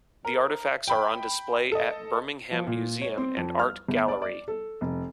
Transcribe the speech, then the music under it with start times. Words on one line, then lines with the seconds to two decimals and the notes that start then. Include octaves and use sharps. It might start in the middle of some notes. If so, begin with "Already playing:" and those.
The artifacts are on display at Birmingham Museum and Art Gallery.
0.25 A#4
0.88 G5 B5
1.72 A4 D#5
2.51 F3
2.67 A#2
3.01 C#5
3.18 C4
3.37 F2
3.59 F6
3.88 G1
4.08 D5
4.22 D5
4.48 A4
4.81 F1